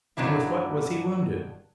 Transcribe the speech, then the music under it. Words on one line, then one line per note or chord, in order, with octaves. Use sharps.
"And with what was he wounded?"
G2 D#3 F#3 D4 E4